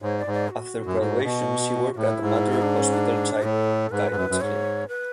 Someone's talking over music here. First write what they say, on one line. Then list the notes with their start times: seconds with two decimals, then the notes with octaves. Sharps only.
After graduation she worked at the Mater Hospital Child Guidance Clinic.
0.02 G#2 C#5
0.18 D5
0.26 G#2
0.33 D5
0.51 F#4
0.86 F#2
0.99 G#2
1.24 B2
1.97 A2 E4
2.20 G#2
2.52 E4
2.62 D4
2.77 C#4
2.93 D4
3.43 A2 A4
3.91 G#2 B4
4.11 G#2
4.16 F#2
4.29 F#2
4.40 G#2 C#5
4.88 B4